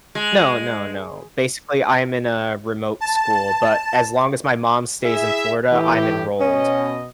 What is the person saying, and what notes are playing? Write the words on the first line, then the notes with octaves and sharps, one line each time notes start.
No, no, no. Basically, I'm in a remote school, but as long as my mom stays in Florida, I'm enrolled,
G#3
A5
E4 G#4 E5
A2 E3 G4
B2 C#4 D#5